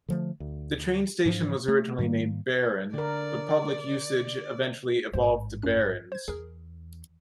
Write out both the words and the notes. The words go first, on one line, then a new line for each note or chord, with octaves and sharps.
The train station was originally named "Baron", but public usage eventually evolved to "Barons".
D3 F3 A3
D2
G#2 E3 F3 D4
A3
G#2 D#3 G3 A#3
D3 A#4 D5
A1 G#2 C5
F#2 C#4 F6
C5 G#6
E2 G#4 A#4